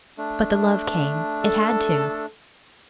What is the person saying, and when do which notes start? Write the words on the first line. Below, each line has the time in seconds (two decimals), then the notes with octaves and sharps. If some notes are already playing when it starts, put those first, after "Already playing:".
But the love came ... it had to.
0.18 A3 D4
1.43 A4